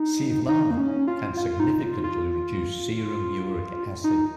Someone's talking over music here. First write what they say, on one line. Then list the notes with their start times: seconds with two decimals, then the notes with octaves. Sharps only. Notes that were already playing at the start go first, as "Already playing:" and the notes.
Sevelamer can significantly reduce serum uric acid.
Already playing: D#4
0.49 D#4
0.71 A#3
0.78 C#4
1.07 F4
1.37 F4
1.60 D#4
1.82 F4
2.04 F4
4.04 D#4